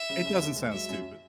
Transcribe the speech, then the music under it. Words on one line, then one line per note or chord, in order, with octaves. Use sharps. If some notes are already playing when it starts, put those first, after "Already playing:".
It doesn't sound stupid.
Already playing: E5
C#3
D#2
D#2
G#3
F#3 E5
F#2